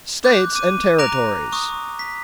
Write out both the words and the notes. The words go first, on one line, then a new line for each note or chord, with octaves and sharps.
States and Territories.
D6 F#6 G6
D6 D#7
A#5 D6 F#6 A#6 D7 F7
C#6 D#6
B6